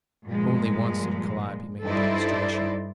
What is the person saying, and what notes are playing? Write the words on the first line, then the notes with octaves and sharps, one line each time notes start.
Only once did Calliope make demonstration.
G2 A#2 F3 G#3
G2 D#4 E4 A4 C5 D5